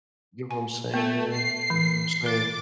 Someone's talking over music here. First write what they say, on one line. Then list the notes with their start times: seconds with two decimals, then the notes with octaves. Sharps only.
You know what I'm saying, man? You know what I'm saying?
0.51 G#5
0.94 A3 B3
1.34 C7
1.70 E3
2.26 A#4 D6 A6